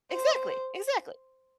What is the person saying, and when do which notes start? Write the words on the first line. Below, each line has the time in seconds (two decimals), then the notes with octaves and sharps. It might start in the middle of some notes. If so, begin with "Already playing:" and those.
Exactly, exactly.
0.12 C5